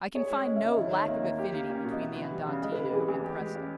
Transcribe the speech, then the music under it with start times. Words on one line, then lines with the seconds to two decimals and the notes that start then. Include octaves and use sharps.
I can find "no lack of affinity" between the andantino and presto.
0.15 G#4 C#5
0.30 G#3
0.46 C#4 D#5
0.56 E5
0.61 C#3 D#5
0.77 D#2 D#5
0.87 C#5
0.92 D#3
0.97 D#5
1.08 A#3 E5
1.23 D#2
1.39 G4
1.54 A#3
1.70 C#4
1.85 B2
1.92 D#5
2.00 B3 E5
2.16 E3
2.32 G3
2.47 C#3
2.63 G#3 D#5
2.72 B4
2.78 C#3
2.83 G4
2.93 E3 G#4
3.09 E2
3.24 G4
3.39 G#3
3.55 C#4